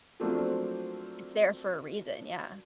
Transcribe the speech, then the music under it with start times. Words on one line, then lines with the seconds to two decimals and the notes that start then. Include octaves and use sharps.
It's there for a reason, yeah.
0.20 F3 F#3 A3 A#3 C4 D4